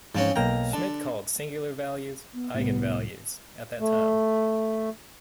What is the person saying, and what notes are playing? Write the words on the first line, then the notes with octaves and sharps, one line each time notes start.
Schmidt called singular values "eigenvalues" at that time.
G#2 F3 C4 C#4
B1 A#3 G5 A#5
D3 A5
B3
C2 A2 B3
A3